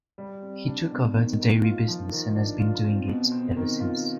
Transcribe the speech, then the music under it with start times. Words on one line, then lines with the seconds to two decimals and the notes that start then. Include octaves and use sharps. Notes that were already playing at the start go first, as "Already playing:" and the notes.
He took over the dairy business and has been doing it ever since.
0.18 G3
0.42 C4
0.67 D4
0.91 B2
1.15 D#3
1.40 D#3
1.63 F4
1.88 F3
2.12 D#3
2.35 D4
2.59 F4
2.84 C4
3.08 B2
3.32 C4
3.56 D#3
3.80 F4